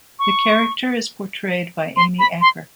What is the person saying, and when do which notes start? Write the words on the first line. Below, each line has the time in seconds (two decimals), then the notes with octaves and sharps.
The character is portrayed by Amy Acker.
0.19 C#6
1.97 C6
2.19 B5
2.41 C6